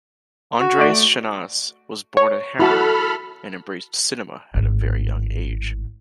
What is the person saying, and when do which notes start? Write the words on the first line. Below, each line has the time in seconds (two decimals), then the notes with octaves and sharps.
Andreas Schnaas was born in Hamburg and embraced cinema at a very young age.
0.60 F#4
0.78 A3 D5 D7
2.17 C#5
2.59 E4 F#4 A4 A5 B5 F6
4.55 G#1 A2